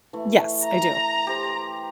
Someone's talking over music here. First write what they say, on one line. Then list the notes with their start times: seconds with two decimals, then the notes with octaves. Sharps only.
Yes, I do.
0.13 E3 A3
0.64 A#5
1.27 G4 C5